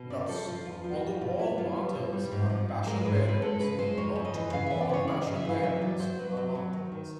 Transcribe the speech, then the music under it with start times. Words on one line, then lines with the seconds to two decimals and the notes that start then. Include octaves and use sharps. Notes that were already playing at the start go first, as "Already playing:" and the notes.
Thus, although all martyrs are passion bearers, not all passion bearers are martyrs.
Already playing: B2
0.10 C#3 D5
0.20 A#4
0.28 F3 A4
0.47 F3 F4
0.65 E2 F4
0.84 F3 F4
0.93 F#4
1.02 F3
1.21 B2 F4
1.39 B3 E4
1.58 B3 F4
1.76 G3
1.95 B2
2.13 G3
2.32 G#2
2.50 F3
2.69 G#2
2.87 G#3 A#4
3.01 G#2 B4
3.15 C5
3.24 G#3 B4
3.42 G#3 A4
3.60 C#3 B4
3.79 G#3 C5
3.97 F2 C#5
4.16 F2
4.25 D#5
4.34 E3
4.52 C#3 F5
4.66 E3 E5
4.81 D5
4.89 C#3 C#5
5.07 C#3 D5
5.22 D#5
5.27 C#3
5.36 E5
5.45 E3 F5
5.63 F#3 E5
5.81 F#3 D5
6.00 F#3 C5
6.18 F#3 B4
6.37 F#3
6.55 F#3
6.73 D#3
6.92 D#3